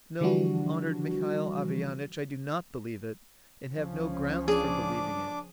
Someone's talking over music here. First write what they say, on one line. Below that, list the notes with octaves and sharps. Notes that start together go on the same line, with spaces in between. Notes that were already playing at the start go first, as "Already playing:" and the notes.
"No, honoured Mihail Averyanitch; I do not believe it, and have no grounds for believing it."
D3 E3 F3 G3 D4 F#4
C#2 F3 C#4
D4 G#4 D6